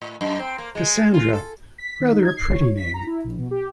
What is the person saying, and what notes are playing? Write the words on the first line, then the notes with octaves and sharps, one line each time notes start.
Cassandra; rather a pretty name.
A2
F#2
C4
A#3
G#3
F4
A4
B6
D#3
D#4
G#6
C7
C#5
B6
A#5
E4
A#1
B2
G4